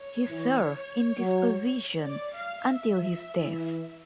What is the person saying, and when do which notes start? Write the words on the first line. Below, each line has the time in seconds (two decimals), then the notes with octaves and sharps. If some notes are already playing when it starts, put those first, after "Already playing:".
He served in this position until his death.
Already playing: C#5
0.29 E3
1.17 F#3
2.05 D5
2.35 F5
2.64 E5
2.93 F3
3.38 E3